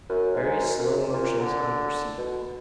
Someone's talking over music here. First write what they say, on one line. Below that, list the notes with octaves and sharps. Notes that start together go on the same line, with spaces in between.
Very slow motions unperceived.
F#2
G#2
F#2
F#2
A#2
D3
B2